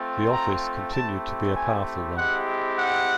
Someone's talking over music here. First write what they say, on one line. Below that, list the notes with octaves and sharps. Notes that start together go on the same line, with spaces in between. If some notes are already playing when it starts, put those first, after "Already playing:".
The office continued to be a powerful one.
Already playing: A3 C4 F4
A#5
A3 C4 E4 G4 A5
G#5
G#3 C4 E4 G4 F#5
F#5